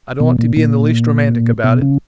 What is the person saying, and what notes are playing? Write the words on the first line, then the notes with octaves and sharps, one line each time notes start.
I don't want to be in the least romantic about it.
B2
A#2
A#2
B2
C#3